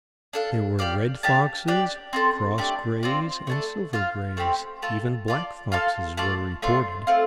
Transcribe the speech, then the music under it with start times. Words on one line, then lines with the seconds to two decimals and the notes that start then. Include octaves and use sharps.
There were red foxes, "cross-grays," and "silver-grays;" even black foxes were reported.
0.33 D4 A4 F5
0.79 G4 D5 F5
1.23 D4 G4 F5 A5
1.68 D4 G4 D5
2.13 C4 F4 A4 C5
2.58 A3 D4 G4 D5
3.03 C4 F4 D5
3.47 A3 D4 A4
3.93 F4 C5 F5
4.37 A3 C4 G4 C5
4.82 A3 F4 A4
5.28 F4 D5 A5
5.72 F4 A4 F5 A5
6.17 A3 F4 D5 A5
6.62 A3 D4 F4 C5
7.07 A3 C4 F4